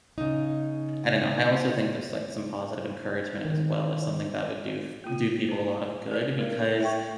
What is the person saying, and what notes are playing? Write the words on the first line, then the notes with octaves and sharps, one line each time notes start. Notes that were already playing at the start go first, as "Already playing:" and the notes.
I don't know and I also think there's, like, some positive encouragement as well as something that would do s do people a lot of good; because
C#3 D#4
D#3
A#3 F4
C5 A5
G#4 A#4 D5
G#3 A#4
E5 G5 C#6